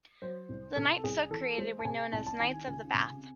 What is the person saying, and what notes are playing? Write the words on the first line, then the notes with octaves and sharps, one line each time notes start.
The knights so created were known as "Knights of the Bath".
F#3 C5
C2
C3 A4
C2 G#4
E3 A4
G#3 C5
A5
C3 G#5
C2 A5
A5
D#3 G#5
C#2
C3